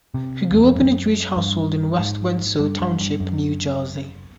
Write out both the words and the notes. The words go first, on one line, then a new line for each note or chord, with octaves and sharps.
He grew up in a Jewish household in West Windsor Township, New Jersey.
C3
E2
F2
F#2
G2
G#2
G2
G2
G2
F#2